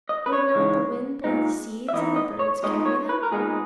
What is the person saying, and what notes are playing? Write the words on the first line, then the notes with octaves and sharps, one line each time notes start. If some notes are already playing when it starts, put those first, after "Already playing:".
Would not the wind blow the seeds, and the birds carry them?
D#5
B4
C#5
C#3 E3 G#3 D#4
A#2 G#3 D#4
E5
E3 B3 D#4 D#5
D#5
C#5
A#2 G#3 B3 D#4 D#5
C#5
B4
A#4
A#2 G#3 B3 D#4 G#4